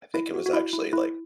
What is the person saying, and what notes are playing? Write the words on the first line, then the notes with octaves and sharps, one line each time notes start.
I think it was actually, like
E4
F#4
F#4
E4
E4
E4